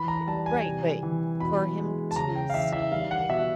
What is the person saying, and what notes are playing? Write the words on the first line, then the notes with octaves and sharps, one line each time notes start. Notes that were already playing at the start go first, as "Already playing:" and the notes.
Yeah, e right, but for him to see,
Already playing: E3 B5
A#5
G3 A5
G#5
C3
E3
B2 B5
G#3
A5
C#3 A#5
G5
F5
E3 E5
E5
G3 F5
F#5
B2 E5